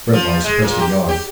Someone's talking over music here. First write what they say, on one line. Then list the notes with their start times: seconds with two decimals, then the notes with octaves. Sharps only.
Reblong suppressed a yawn.
0.13 F3
0.44 G#3
0.62 A#2
0.80 G4
1.09 G4